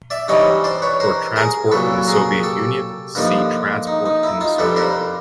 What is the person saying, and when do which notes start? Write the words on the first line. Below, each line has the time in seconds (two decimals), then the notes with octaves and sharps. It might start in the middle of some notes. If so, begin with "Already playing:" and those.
For transport in the Soviet Union, see Transport in the Soviet Union.
0.10 D5 E5
0.28 G2 E3 G3 C4 D#4 C#5 D#5
0.64 C5 D5
0.82 B4 C#5
1.00 A#4 C5
1.36 G#4 A#4
1.72 C2 A#2 F#3 A4 B4
2.08 G#4 A#4
2.43 G4 A4
3.15 G2 D3 F3 A#3 D#4
3.87 D#4
4.06 D#4
4.23 E4
4.41 D#4 F4
4.59 F2 D3 G3 A4 B4
4.76 A#4 C5